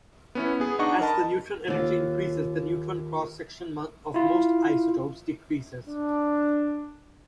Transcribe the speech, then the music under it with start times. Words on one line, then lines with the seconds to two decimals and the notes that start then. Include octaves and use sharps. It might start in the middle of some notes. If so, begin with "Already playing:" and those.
As the neutron energy increases, the neutron cross section of most isotopes decreases.
0.35 B3 C#4 E4
0.60 B3 G#4
0.79 D4 D#4 D#5 F#5 C#6
1.01 A#4 D#5 A5 B5
1.68 D#2 F4
4.14 E4 F4
5.87 D4